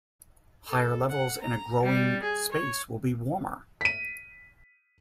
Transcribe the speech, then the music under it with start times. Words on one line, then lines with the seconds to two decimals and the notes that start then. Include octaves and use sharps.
Higher levels in a growing space will be warmer.
0.69 A4
1.10 F#5
1.42 A#5
1.83 G3
2.23 G#4
2.52 C#5
3.81 B6 D#7